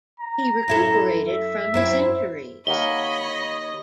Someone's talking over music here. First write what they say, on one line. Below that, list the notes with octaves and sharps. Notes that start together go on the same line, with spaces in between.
He recuperated from his injuries.
A#5
F#2 E4 A4
E5
F#2 C4 E4
D#2 A#3 C#5 D#5 F#5 B5 G7